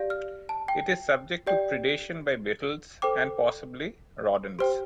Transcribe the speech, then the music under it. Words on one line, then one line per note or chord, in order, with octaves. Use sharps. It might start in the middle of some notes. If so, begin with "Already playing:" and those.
It is subject to predation by beetles and possibly rodents.
Already playing: G4 D5 F5
F6
A5
G5
G4 D5 G5
A4 C5 G5 D6
G4 C5 G5 C6